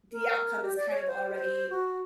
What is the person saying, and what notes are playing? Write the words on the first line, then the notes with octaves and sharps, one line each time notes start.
the outcome is kind of already
A#4
G4
D5
C#5
C5
C5
F#4